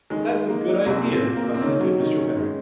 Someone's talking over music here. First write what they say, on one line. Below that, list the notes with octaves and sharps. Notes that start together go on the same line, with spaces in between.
"That's a good idea," assented Mr. Fenwick.
D#3 G#3
G#3
A#3 D#4
G#3
C2 C4
A#2
C4
A#2
A#3
A#2
C4
D#3 C#4
F#3
D#3
C#4
G#3